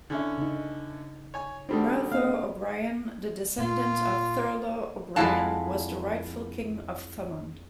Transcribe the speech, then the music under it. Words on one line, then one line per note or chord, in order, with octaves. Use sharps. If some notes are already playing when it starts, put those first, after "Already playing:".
Murtough O'Brien, the descendant of Thurlough O'Brien was the rightful King of Thomond.
D3 C#4 E4
C#3 D#4
C#5 G#5
D#3 G3 C4 D4 F#4 A4
A#3 C4 D#5 F5
A#2 F4
F2 G#3 E4 F#4 F5 A5